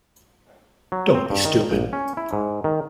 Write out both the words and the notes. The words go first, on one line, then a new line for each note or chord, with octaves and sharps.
Don't be stupid.
F#3
C4
G2
D#3
A#1
C#4
E4
G#2
D#3